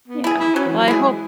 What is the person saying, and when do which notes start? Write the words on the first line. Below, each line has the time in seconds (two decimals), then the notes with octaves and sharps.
Yeah, well, I hope
0.08 B3
0.24 E4 G#4
0.40 E4
0.55 F#3 C#4
0.67 E3
0.77 F#3
0.88 G#3 E4 G#4